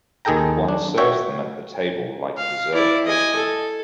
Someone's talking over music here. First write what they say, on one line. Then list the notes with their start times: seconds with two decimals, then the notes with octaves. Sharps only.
One serves them at the table like dessert pastry.
0.25 D#2 D#3 G#4 A4 G5 A#5
0.68 D4
0.98 F#4 C#5 E5 G5
2.37 F5
2.74 E4 D5
3.06 D#5 G#5
3.36 A4